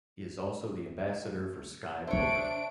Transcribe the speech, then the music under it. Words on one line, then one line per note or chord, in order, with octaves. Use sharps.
He is also the Ambassador for Sky Poker.
D4 C5 C#5 E5 D7